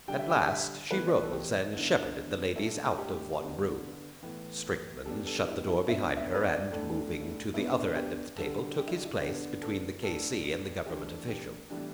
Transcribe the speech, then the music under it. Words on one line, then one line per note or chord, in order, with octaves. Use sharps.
At last she rose and shepherded the ladies out of one room. Strickland shut the door behind her, and, moving to the other end of the table, took his place between the K.C. and the Government official.
D3 G3 D4 G5
E5
G5
E5
A2 E3 B3 B4
D5
B4
A4
G4
D3 B3 D4 E4
A2 A3 D4 E4
G4
D3 B3 D4
A2 E3 B3
B2 G3 B3 D4 A4
A4
E4
E4
B2 B3 D4 E5
E5
B4
D5
A2 A3 D4
B2 B3 D4 E4
G4
D3 G3 D4 A4
G4
E4
D4
E4
D3 B3 D4 G4
A4
A2 A3 D4 A4
E3 A3 D4 G4
G4
A2 E3 G3 B3 D4